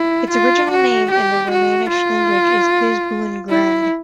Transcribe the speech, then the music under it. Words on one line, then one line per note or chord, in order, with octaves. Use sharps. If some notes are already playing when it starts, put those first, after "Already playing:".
Its original name in the Romansh language is "Piz Buin Grand".
Already playing: E4
F4
F#4
G4
F#4
F4
E4